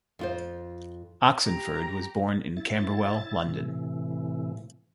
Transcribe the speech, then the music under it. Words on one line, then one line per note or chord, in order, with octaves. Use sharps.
Oxenford was born in Camberwell, London.
F2 F4 C5
G4 A#5
E4 A6
A2 C3 E3